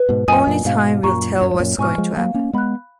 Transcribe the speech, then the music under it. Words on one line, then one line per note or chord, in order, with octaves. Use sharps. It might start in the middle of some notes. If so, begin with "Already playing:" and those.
Only time will tell what's going to happen.
Already playing: B4
G#2 B2
F#2 A#2 D#5 G#5 D#6
F#2 A#2
G#2 B2 F5
F#2 A#2 A#5 C#6
F#2 C#5
G#2
F#2 A#2
G#2 B2 G#5 C#6 F6
F3 G#3
F#3 A#3 F5
A#3 C#4
G#3 B3 B5 F#6